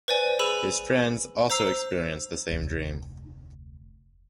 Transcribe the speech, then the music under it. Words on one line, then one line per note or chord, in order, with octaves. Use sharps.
His friends also experience the same dream.
B4 C5 D5 G#5
G#4 B4 B5 E6 D#7 E7
C5 A#5 E6 C7
F1 D2